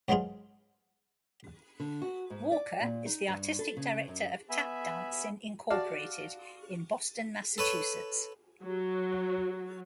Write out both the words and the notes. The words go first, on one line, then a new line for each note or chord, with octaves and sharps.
Walker is the Artistic Director of TapDancin, Incorporated in Boston, Massachusetts.
G#2 F#3 B3 D#4 F4 G#4
D3
F#4
G#2
D5
A#2
D#4
G2
A4
C#3
F#2
B3 E5 G#5 B5
F#4 D5 F5 A5
A4 B4 C#5
F#3